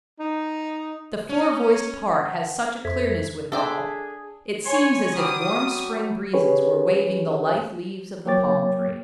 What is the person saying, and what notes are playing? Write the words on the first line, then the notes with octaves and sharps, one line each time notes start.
The four-voiced part has such a clearness withal, it seems as if warm spring breezes were waving the lithe leaves of the palm tree.
D#4
C#4
F#5 G5
F2 A4 C5 E5 G#6 B6
D4 G#4 A4 D5 E5 G5
C#5 G#5 C6
F#3 G3 D6 D#6
C#4 G4 G#4 B4 C#5
F#3 A#3 C#5 G5 D6 A6